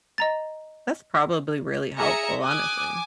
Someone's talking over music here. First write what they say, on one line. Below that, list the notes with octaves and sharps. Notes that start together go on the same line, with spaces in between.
That's probably really helpful, honestly.
D#5 A#5 A6
G#4 E5 A#5 C#7
G#5 D6 D#6 F#6